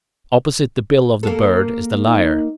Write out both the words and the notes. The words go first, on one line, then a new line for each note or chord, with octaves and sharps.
Opposite the bill of the Bird is the Lyre.
A#3 A4
D#4